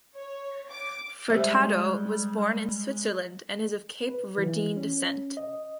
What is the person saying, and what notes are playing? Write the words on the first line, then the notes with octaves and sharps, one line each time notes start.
Furtado was born in Switzerland and is of Cape Verdean descent.
C#5
D6
G3 G#3 G4 C5 E5
B4
E3
C#4
D#5